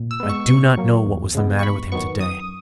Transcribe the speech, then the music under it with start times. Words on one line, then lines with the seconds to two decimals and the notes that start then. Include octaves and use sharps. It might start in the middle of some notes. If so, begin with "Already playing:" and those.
I do not know what was the matter with him to-day.
Already playing: A#2
0.11 E6
0.20 G#3 B3
0.29 C#6
0.49 B2 C#6
0.77 F#3 A#3
1.06 E2
1.35 C#3 G#3 B3
1.59 C#6
1.63 G#2 B5
1.92 D#3 F#3 B3 C#6
2.20 F#2 D#6